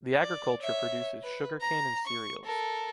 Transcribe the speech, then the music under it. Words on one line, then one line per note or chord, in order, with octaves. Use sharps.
The agriculture produces sugar cane and cereals.
D5
C#5 E5
B4
A#5
C#6
A4 A#4